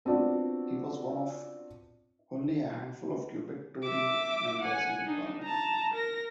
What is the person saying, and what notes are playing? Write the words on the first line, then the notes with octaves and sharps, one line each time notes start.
He was one of only a handful of Quebec Tory members in that Parliament.
B3 C4 D4 F4 F#4 D5
E5 D6
F#5 G#5
D4 D#4
A5 A#5
A#4 A#6